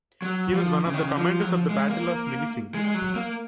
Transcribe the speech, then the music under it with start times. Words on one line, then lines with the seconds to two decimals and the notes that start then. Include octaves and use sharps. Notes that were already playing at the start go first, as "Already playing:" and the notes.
He was one of the commanders of the Battle of Minisink.
0.22 F#3
0.53 F3
0.86 C#3
0.94 D#3
1.02 C#3
1.17 F3
1.40 F#3
1.48 F3
1.69 G#3
1.90 A#3
2.75 G#3
2.85 G#3
2.94 F#3
3.16 A#3